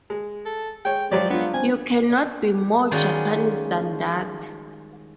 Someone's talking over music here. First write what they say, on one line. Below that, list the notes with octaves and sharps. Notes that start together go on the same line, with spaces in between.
You cannot be more Japanese than that.
G#3
A4
G#3 C#5 G5
F3 F#3 G#3 G4 D5
B3 D4 F4
C4 G#5
D#3 G3 G#3 C#4 F4 F#4